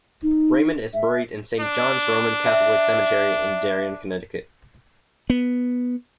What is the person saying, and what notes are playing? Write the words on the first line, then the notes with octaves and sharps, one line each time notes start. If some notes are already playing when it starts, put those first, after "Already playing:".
Raymond is buried in Saint John's Roman Catholic Cemetery in Darien, Connecticut.
D#4
E5
D4
E5
B3